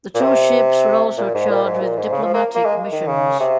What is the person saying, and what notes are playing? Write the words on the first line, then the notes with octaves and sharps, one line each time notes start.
The two ships were also charged with diplomatic missions.
A#2
C3
A#2
G#2
A#2
G#2
A#2
G#2
C#3
F3
A#3
A#3
G#3
D#3
C#3
C3